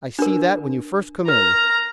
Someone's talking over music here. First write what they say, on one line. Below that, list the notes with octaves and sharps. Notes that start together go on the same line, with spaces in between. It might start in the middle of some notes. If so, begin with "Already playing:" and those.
I see that when you first come in.
D4 A#4
A#4 A#5 F6